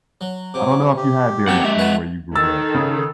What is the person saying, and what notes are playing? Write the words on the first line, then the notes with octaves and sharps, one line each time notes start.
I don't know if you had Dairy Queen where you grew up.
F#3
C3 F#3 D6
G4
F3 A#3 C4 F#5 G5
G#3 E5
F#4 B4 F#5
D#3 A4 E6 A6
C#3